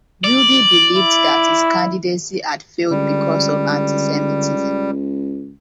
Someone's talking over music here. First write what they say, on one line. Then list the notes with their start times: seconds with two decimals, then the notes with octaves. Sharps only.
Ruby believed that his candidacy had failed because of Antisemitism.
0.24 D5
0.96 E4
2.91 C#2 D3 G3